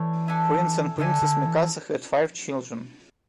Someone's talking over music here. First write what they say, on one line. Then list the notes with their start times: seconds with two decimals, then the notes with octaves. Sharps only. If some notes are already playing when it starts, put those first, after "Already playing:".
Prince and Princess Mikasa had five children.
Already playing: E3 A3 D4 C#5
0.28 D4 A4 E5 G#5
0.98 D3 D4 A4 E5 G#5
1.22 D3
1.45 E3